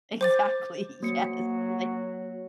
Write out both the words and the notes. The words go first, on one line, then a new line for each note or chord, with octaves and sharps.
Exactly, yes, like
C5 D6 A6
F#3 A#3 C#7